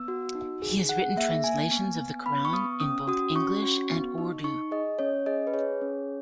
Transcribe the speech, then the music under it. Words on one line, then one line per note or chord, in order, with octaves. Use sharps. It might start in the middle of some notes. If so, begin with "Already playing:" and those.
He has written translations of the Qur'an in both English and Urdu.
Already playing: B3 E6
F#4
D#4
G#4
G#4 F#5
A#3 E5
A#3 G#5
B3
B3
B3 B5
C#6
B3 D#6
C#4 D#6
F#4 D#6
C#4 C#6
F#4
B3
D#4
D#4 C#6
G#4 D#5
C#4 C#5
G#4 D#5
B4
G#4 C#5
C#4